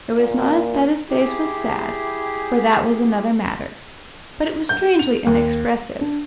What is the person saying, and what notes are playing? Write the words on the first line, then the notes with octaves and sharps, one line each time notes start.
It was not that his face was sad, for that was another matter; but it was strangely inexpressive.
A#2
E4 G4 G#4
G6
F7
D#2
D4